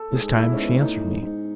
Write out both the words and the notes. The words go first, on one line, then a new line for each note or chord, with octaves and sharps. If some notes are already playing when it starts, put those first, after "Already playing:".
This time she answered me.
Already playing: A4
A2 G#4
G#2
E4
G#2 C#4
B3
A2 D#4
F#2
G#2